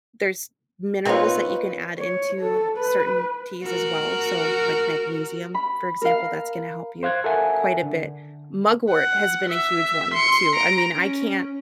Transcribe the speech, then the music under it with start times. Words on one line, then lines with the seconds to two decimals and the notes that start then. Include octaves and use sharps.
There's minerals that you can add into certain teas as well, so, like magnesium, for example, that's gonna help you quite a bit. Mugwort has been a huge one too. I mean, I can't
1.05 A#3 C4 D#4 F4 B4 C#5
1.99 C#5
2.41 A4
2.78 B4
3.63 F#4 A#4
5.54 B5
6.02 A#4 F5
7.03 C5 F5 F#6 G#6
7.24 A4 A#4 E5 F#5 G#5
7.83 D3
8.91 F#5
9.50 E5
10.14 C6 C#7
10.55 A#5 D7
10.95 C#4